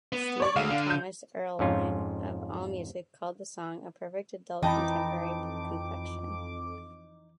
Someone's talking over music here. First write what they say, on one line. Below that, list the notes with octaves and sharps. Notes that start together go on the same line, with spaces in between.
Stephen Thomas Erlewine of Allmusic called the song a "perfect adult contemporary confection".
B3
C#5 D5 C#6
D2 F5
D3
G6
F2 G#2 C#4 F4
F2 E3 D#4 G5 A5 B5 D6